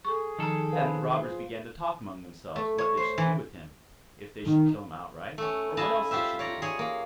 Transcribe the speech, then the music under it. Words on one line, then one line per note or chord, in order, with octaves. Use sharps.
Then the robbers began to talk among themselves what they should do with him; if they should kill him outright, or what else they should do.
G#4 A4 C#6
D#3 F3 A4 A#5
B4 C5 F5
F4 C5
A3
C#5
C5
E3
D#3
A3 C#4
E4 D#5 F5 G#5 A5
F4 G4 C5 E5
C#5 D5 A#5
G#4 C#5
A#3